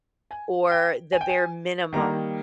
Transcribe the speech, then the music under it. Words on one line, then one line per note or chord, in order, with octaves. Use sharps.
or the bare minimum.
G#5
G5
G#5
G5
G#5
D#3 G3 A#3 A#5